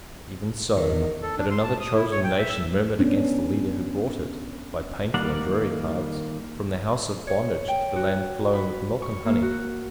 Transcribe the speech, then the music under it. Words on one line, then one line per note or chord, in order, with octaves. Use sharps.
Even so had another chosen nation murmured against the leader who brought it, by painful and dreary paths, from the house of bondage to the land flowing with milk and honey.
E2 D#3
A4
D4
C6
A5
D#6
E4
C#5
G5
E5
E6
B3 C#4 D4
D#3 G3 A#3 D5 F#5
C#5
G5
F#4
B5
C#6
A#3
F#4